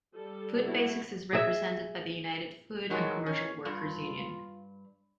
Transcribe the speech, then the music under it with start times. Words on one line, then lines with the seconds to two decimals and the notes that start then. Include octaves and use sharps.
Food Basics is represented by the United Food and Commercial Workers union.
0.16 G3 A4
0.64 E4 F#4
1.33 G#4 E5
2.90 G2 D#3 F#3 G#3
3.26 C#4
3.65 G2 F4